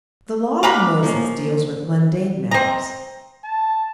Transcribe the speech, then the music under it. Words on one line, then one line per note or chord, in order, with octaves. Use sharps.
The Law of Moses deals with mundane matters.
D4 G4 F5 A#5 B5
F3 A#3 C#4
C4 D#5 A#5
A5